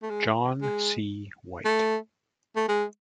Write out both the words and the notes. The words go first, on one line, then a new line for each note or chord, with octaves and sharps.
John C. White.
A3
G#3
G#3
A3
A3
G#3